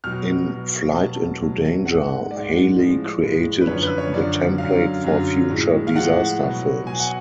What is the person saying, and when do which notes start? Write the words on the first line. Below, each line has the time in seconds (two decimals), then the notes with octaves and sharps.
In "Flight into Danger", Hailey created the template for future disaster films.
0.04 B2 F#3 F6
0.49 B2 F#3
0.95 B2 F#3 A5
1.41 B2 F#3
1.85 G#2 G#3 F#5
2.31 G#2 G#3 D5
2.77 A2 F3 G#3
3.23 A2 F3 G#3
3.61 B4
3.67 F#2 D3 F3 C#5
3.83 B4
3.98 C#5
4.13 F#2 D3 F3 D5
4.58 F#2 D3 F#3 F5
5.04 F#2 D3 F#3
5.50 A2 F3 G#3
5.87 F5
5.95 A2 F3 G#3 F#5
6.41 B2 F#3
6.86 B2 F#3 G#5
7.00 F#5